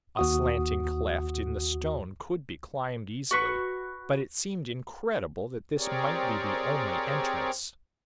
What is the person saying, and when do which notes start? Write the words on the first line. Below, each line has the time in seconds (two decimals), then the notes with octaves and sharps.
A slanting cleft in the stone could be climbed easily, but it seemed incredible that this might be the only entrance.
0.17 D#2 F#4 D#6
3.31 F#4 B4 C#6
5.77 C4 G4 G#4 A#4 C#5 D5